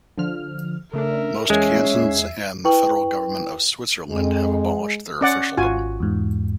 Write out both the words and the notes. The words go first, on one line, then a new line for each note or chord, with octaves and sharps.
Most cantons and the federal government of Switzerland have abolished their officialdom.
D3 F3 F6
C#3 A3 D4 A#4 E5
E2 G#3 C#4 E5 G#6 C7
E4 B4 G5 C#6 F#7
F2 G#3
C#4 D5 F#5
G#1 F4 F#4 G#5
E2 G#2